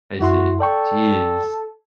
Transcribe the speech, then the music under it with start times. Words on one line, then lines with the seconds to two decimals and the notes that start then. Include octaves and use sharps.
I see. Jeez.
0.20 F#2 E4 F#4 C6
0.60 A4 D5 G5 C#6